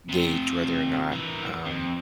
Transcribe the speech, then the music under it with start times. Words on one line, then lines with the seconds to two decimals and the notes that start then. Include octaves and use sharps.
gauge whether or not, um,
0.09 C3 F4
1.12 E3 A#4
1.66 F2